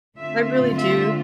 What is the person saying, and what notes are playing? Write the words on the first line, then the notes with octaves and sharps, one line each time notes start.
I really do.
D3 A3 C4 F4 E5
E5